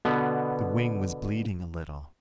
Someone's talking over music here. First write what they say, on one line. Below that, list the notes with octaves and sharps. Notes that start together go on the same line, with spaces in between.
The wing was bleeding a little.
B2 D3 B3